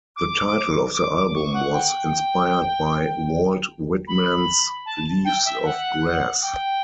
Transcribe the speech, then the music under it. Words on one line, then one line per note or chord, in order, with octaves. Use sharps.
The title of the album was inspired by Walt Whitman's "Leaves of Grass".
D6
D6
D6
C#6
F#5
G5
B5
A5
G5
E5
F#5
G5